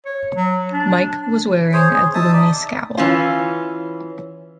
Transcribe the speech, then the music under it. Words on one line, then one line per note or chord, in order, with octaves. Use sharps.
Mike was wearing a gloomy scowl.
C#5
F#3
D4
G#4 C5 C#5
G#4
D#4 E5 A5 D#6
D5
E3 C#4 F4